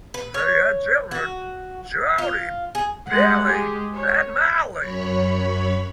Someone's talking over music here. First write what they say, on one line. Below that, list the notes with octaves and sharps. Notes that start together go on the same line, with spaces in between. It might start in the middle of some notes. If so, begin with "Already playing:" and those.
They had children Jody, Billy and Molly.
B4
C#5
F#4
F4
G#4
G3 G#3 F#5
G#3 G4 G#4
C#5
F#2 C#5 B5 C#6